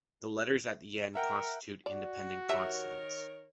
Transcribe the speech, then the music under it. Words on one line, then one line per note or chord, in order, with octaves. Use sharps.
The letters at the end constitute independent consonants.
A#4 E5 F#5 G5
F#4 D5
D#3 G4 A#4 C#5 E5 A#5